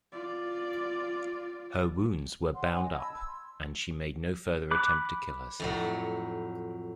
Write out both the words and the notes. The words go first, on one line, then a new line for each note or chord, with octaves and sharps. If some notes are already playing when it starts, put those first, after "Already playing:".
Her wounds were bound up and she made no further attempt to kill herself.
F4 D5
C#5 F#5 C6
D4 C#5 F#5 G#5
D#5
A5 B5 E6 G#6
E6 G#6
C6
B5 D6 F#6
F2 A2 F#3